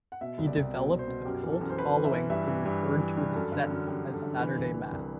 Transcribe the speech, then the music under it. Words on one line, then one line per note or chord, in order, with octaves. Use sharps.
He developed a cult following who referred to his sets as "Saturday Mass".
F#5
B2 E5
C2
D5
C2
B2
B2
C5
B2
F#2 G4
E3
A4
F#2
C5
F#2 B4
E3
E5
E3
G2 E5
E3
G2
E3
E3
G2
F#2 A4
D3
F#2
F#2 G4
D3
A4
D3
E3 B4
C2
E3
C2